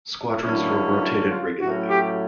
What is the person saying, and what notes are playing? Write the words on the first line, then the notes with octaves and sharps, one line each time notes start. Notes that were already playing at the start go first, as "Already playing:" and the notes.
Squadrons were rotated regularly.
D3 F#3 A#3 C#4 E4
E4
F4
A2 F#3 A3 C#4 F#4
G4